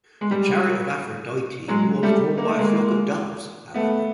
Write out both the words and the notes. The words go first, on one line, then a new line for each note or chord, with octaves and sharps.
The chariot of Aphrodite was drawn by a flock of doves, however.
G#3
G3
F#3 G#3
G3 A3
A#3
A3
G#3 A#3
A3 B3